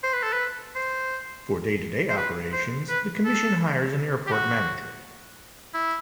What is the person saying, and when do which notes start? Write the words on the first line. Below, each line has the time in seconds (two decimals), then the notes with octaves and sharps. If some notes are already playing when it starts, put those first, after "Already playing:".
For day-to-day operations, the Commission hires an airport manager.
0.03 C5
0.13 B4
0.23 A4
0.33 B4
0.75 C5
2.09 C5
2.17 B4
2.53 C5
2.89 B4
3.25 A4
4.27 G4
4.32 F#4
5.74 E4